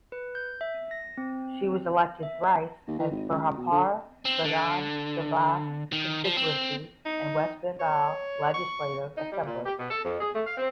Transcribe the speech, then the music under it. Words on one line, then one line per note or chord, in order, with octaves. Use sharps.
She was elected thrice as Berhampore Vidhan Sabha Constituency in West Bengal Legislative Assembly.
B4
G6
E5
A#6
C4
E5
D#2
E3
G#1
C#2
C#2
B2
D3
C4
D3
D#3
F3
C4
D#4
C#5
C#6
D#4
G3
A#2
G4
B2
A4
F2
G#4
A3
F5
C4